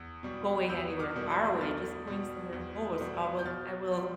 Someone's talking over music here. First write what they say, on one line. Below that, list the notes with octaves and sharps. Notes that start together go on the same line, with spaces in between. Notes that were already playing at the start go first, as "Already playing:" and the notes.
going anywhere far away, just going somewhere close. I will I will
Already playing: E2 E6
B2 G3
E2 E6 G6
D6 F6
B2 G3
E6 G6
E2 F6 A6
B2 G3
E2
B2 G3
G6
B2 F6 A6
G3